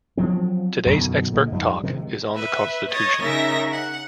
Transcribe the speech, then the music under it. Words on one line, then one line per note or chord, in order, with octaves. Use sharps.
Today's expert talk is on the constitution.
F3 F#3 C4
F#2 B2 D3 D#3
A#2 D3 G#3
F2 G#2 G3
C3 D#3 F3 G#3
B4 E5
C#5 D#5 A6
C#3 C#4 D#4 A#4 E5 A#6
F#5